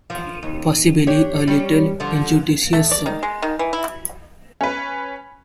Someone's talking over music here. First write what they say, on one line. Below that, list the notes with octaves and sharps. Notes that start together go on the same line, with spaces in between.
Possibly a little injudicious, sir.
F3
D#2
D4 G4 C#5
G3 C#4
D3 F3
A3
D5
D#3
G#3
D#3
E3
E4
C#4 B4